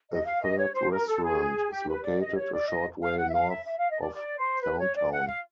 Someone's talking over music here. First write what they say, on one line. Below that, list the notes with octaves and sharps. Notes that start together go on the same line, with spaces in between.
A third restaurant is located a short way north of downtown.
D#5
F5
D#5
C#5
C5
A#4
A4
G#4
G4
B4
D5
D#5
C#5
D5
D#5
F5
F#5
E5
F5
E5
E5
F5
D#5
D5
D5
C5
B4
C#5
D5
F#5
F5